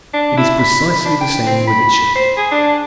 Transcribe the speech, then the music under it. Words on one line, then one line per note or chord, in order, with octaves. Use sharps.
It is precisely the same with the Church.
D4
E4
B5
D4
G5
C4
B5
C5
G#4
D4